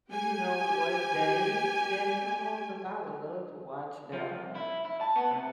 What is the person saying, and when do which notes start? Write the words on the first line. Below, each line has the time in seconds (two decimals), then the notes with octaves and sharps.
Do you know what day did it come on? 'Cause I would love to watch that one.
0.10 G4 G#5
4.13 F3
4.31 C2
4.55 E4
4.85 E4
5.01 A5
5.16 B3
5.31 C3